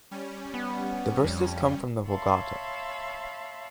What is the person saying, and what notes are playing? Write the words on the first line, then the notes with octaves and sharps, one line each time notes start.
The verses come from the Vulgata.
G3 C#4
B3
F2
C#5 E5 F5 A5 B5 C6